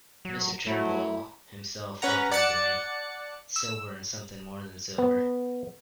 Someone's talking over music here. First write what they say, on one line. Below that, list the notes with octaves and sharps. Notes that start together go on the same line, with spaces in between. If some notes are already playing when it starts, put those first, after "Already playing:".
Mr Turnbull himself opened to me—sober and something more than sober.
F#3
F#3 A3 E4
C#4 B4 F#5 A#5
D5 F#5 A5 F#6 A6 C#7
E6
B3